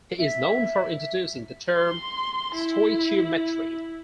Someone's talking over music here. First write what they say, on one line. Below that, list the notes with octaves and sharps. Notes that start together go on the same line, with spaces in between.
He is known for introducing the term "stoichiometry".
E5
C6
E4